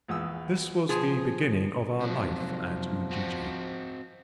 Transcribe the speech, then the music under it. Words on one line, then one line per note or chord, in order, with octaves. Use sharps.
This was the beginning of our life at Ujiji.
A#1 E2 D#6 E6
B2 F3 G#4
C3 F3 F#3
C4 F#4